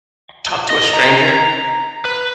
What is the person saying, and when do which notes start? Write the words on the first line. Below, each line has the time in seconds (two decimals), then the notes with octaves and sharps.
talk to a stranger?
0.70 D#5
0.93 A#5
2.05 B4